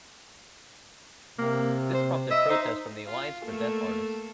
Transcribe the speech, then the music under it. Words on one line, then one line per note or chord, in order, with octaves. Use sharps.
This prompted protests from the Alliance for Deaf Artists.
C3 A#3
C5
D#5 E5
D#4 C5
F4
A3 A#3 A4